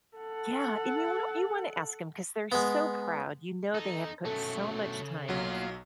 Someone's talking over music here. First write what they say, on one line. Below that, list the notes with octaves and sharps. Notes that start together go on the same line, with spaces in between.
yeah, and you wan you wanna ask 'em, 'cause they're so proud, you know they have put so much time
A4 F#5
G#3 B3
E2 D#4 A4
B2 F#3 A3 C#4 A4
C#3
B1 F#3 A#3 F4 F#5